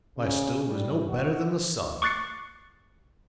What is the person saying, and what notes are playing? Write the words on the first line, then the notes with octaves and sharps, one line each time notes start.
My stove is no better than the sun.
C#3
G3
F#4
C#6 D6 F#6 A6 C7 C#7